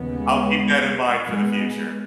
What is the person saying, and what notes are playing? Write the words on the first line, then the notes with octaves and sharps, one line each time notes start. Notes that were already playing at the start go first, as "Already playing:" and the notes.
I'll keep that in mind for the future.
Already playing: D#2 C#3 G#3 B3
G#3 B3